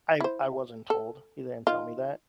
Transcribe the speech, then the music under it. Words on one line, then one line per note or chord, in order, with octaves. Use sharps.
I I wasn't told. He didn't tell me that,
E4 C5
A4
D#3 F4